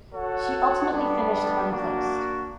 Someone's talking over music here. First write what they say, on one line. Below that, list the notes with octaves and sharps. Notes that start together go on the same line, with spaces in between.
She ultimately finished Unplaced.
F#4 A4 C#5 F#5
G3 B3 D4
A#3 D4 F#4